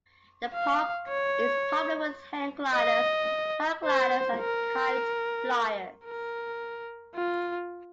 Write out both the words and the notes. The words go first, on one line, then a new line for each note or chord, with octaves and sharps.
The park is popular with hang-gliders, paragliders, and kite flyers.
F5
C#5
D#5
C5
A#4
A#4
F4